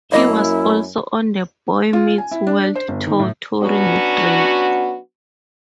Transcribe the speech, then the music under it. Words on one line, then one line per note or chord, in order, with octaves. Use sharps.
He was also on the Boy Meets World Tour touring with Drake.
F#2 A#3 E4 D#5 F5
F4
G#5
E4
D4
C5
G1
D#3
A2
F#3 B3 C#4 D4 F#4